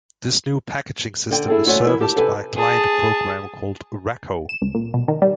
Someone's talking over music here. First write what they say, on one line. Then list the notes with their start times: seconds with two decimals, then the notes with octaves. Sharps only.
This new packaging system is serviced by a client program called raco.
1.31 D3 G5
1.48 E4 G#4 A4
1.66 D2 A3 F4 F#4 C#5 G#5
1.86 E3 E4 A#4
2.00 G4 A5
2.16 C3 G4 A4 B4 G#5
2.56 G#4 A5
4.49 E7
4.62 C#2
4.75 A#2
4.94 B2
5.08 D#3
5.22 G3